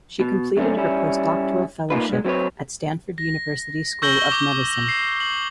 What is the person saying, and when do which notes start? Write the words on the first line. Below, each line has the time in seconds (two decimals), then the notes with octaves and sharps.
She completed her postdoctoral fellowship at Stanford University School of Medicine.
0.21 B2
0.57 F#2 D3 A3 A#3 C4 C#4
0.76 G3 C#4 E4
1.90 A#3 D#4 F4 B4
2.09 G2 G#3
2.25 F#3 C4 F#4 B4 C#5
3.18 A#6
4.02 C#6 E6 G6 A#6 F#7 G7
4.32 D6
4.89 C7
5.20 F#7